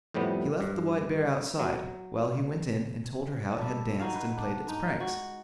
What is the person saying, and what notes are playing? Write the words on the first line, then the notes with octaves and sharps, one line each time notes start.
He left the white bear outside while he went in and told her how it had danced and played its pranks.
F2 A2 C3 G3 B3
G2
F#3
G3 A4
F#3 D#4 F#4 F5
B4
D4
G#2 D#4
F#4